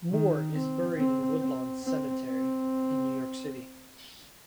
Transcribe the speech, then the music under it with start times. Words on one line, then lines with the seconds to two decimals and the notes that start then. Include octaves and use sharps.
Moore is buried in Woodlawn Cemetery in New York City.
0.11 D#3
0.54 C4
0.97 C4
1.40 C4
1.83 C4
2.26 C4